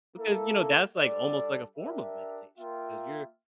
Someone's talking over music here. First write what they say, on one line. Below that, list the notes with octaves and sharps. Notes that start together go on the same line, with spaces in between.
Because, you know, that's, like, almost, like, a form of meditation, 'cause you're
A#3 E4 A4
G3 D4 A4 D5
D4 G4 A#4 E5
A#3 F4 A#4 E5 G5